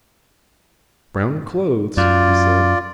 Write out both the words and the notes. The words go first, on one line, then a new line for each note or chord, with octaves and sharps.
"Brown clothes?" he said.
F#2 F4 D5